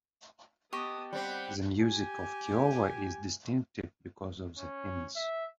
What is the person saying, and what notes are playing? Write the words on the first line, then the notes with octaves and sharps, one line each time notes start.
The music of Kiowa is distinctive because of the hymns.
B3 G4 D#5 A5 C#6 D#6
G3 C4 F#5 G5 B5
G4 G#5
C#4
E5